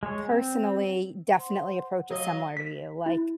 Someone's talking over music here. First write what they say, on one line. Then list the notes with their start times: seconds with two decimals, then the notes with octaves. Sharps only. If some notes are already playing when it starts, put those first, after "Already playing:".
personally, definitely approach it similar to you, like,
0.03 G#3 C#5
0.31 C4
1.37 C5 F#5
2.11 F#3 D#5 F5
2.57 B6
3.06 E4